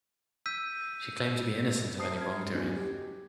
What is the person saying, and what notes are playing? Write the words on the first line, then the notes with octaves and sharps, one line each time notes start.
She claimed to be innocent of any wrongdoing.
E6 G6 B6 D#7
C5 A5 D#6 C7
F6 G#6
B1 E2 G2 C#4 F#4 D#5
G4